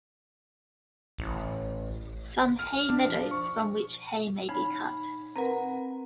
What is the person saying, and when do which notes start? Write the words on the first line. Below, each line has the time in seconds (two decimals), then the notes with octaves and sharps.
Some Hay meadow from which Hay may be cut.
1.18 A1
2.59 F6
2.89 D4
3.06 F3
3.31 C#6
4.49 D#4 B5
5.36 C4 A#4 B4 F#5 A#5